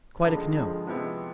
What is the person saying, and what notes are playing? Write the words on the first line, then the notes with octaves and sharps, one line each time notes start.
"Quite a canoe."
G2 D3 F3 G#3
G2 D3 F3 G#3
C3 F3 G#3 B3 E4